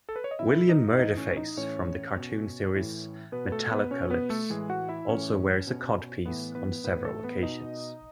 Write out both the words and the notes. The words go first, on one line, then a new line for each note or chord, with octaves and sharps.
William Murderface from the cartoon series "Metalocalypse" also wears a codpiece on several occasions.
A4
B4
C#5
D#5
B2 E4 E5
D#4 D#5
E5
A2 E3 D#4 D#5
C#4 C#5
D#4 D#5
A2 E3 C#4 C#5
B2
A2 E3
B2 B3 B4
A3 A4
B3 B4
B2 C#4 C#5
B3 B4
A3 A4
A2 E3 G#3 G#4
F#4 F#5
E4 E5
A2 E3 C#4 C#5
B2
A2 E3 B3 B4
B3 B4
A2 E3 B3 B4
A3 A4
B3 B4
B2 D#4 D#5